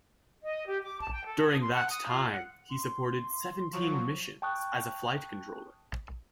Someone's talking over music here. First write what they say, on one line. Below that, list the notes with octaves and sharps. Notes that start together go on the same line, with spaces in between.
During that time, he supported seventeen missions as a flight controller.
D#5
G4
D6
A5
G5
A4
D#6
C6
F#5
D#6
F4
F#5
C6
F3 F#3 C#6
G5 A5 C#6 D#6 F#6